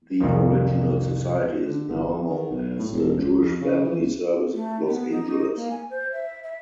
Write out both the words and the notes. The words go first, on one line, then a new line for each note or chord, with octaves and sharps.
The original society is now known as the "Jewish Family Service of Los Angeles".
C2 F2 D#3 F3
D3
G1
F2
D#3
B1
A2
E1
C#2
F2
C#3
E3
C#2
A3
B3
D#4
A#3
G#5
C5
E5
E5